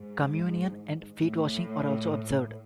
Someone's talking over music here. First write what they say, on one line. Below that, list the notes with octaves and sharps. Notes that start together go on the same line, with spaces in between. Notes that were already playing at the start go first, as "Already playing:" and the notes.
Communion and feet washing are also observed.
Already playing: G#2
A2